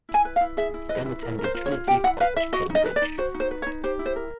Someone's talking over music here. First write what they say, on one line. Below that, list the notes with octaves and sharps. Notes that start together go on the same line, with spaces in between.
He then attended Trinity College, Cambridge.
E4
G#5
B4
F5
E4
G#4 E5
E4
B4 D#5
E4
A#4
A#4
C5
F4
C#5
F4
G4 G5
E4 F#5
B4 F5
E4 E5
F#4 D#5
D#4
D#5
B4
D5
D#4
F#4 C5
D#4
C5
B4
C#5
D#4
G4 C5
E4
C5
A#4